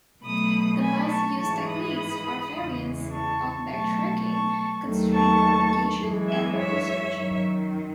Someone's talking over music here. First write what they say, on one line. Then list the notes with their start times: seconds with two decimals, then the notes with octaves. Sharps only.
The most used techniques are variants of backtracking, constraint propagation, and local search.
0.23 B2 F#3 A3 B5 D#6
0.81 G#5 B5
1.09 A5 C#6
1.38 G#2 E3 G#3 A5 C#6
1.67 B5 D#6
2.54 E2 C#3 E3 G#3
3.12 A5 C#6
3.69 B2 F#3 A3 A5 C#6
4.26 A5 C#6
4.84 D#2 D#3 F#3 A3
5.13 A5 C#6
6.00 F#2 E3 G#3
6.28 E5 G#5
6.57 C#5 E5
7.15 F#2 D#3 F#3